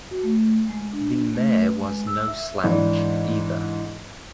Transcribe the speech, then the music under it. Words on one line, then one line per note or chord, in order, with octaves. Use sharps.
The mare was no slouch, either.
F#4
A3
G#3
D4
A3
B4
G#3
E6
E5
G#2 E3 D4